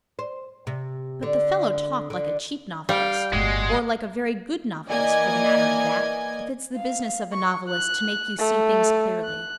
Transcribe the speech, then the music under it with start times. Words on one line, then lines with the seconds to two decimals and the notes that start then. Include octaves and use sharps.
But the fellow talked like a cheap novelist.--Or like a very good novelist for the matter of that, if it's the business of a novelist to make you see things clearly.
0.19 C5
0.67 C3
1.23 D3
2.10 D3
2.89 G3 F5 G5
3.33 G1 A2 G#3 F#4
4.88 E3 A#3 D5 D#5 G#5 G#6
6.76 F5
7.32 C#6
7.68 F#6
8.39 A3
9.24 F#6